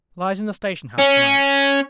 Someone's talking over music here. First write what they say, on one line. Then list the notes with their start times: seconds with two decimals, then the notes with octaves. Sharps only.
Lies in the station-house to-night.
0.99 C#4